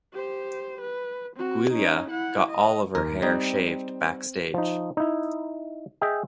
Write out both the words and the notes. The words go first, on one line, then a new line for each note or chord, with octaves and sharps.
Giulia got all of her hair shaved backstage.
G4 C5
B4
C4 F#4
C#4 D#4
E4 F#5
D#5
D#2 A#4
G3 C4 D#4
F3 D#4
D#4 E4
G#4 D#5 E5 G5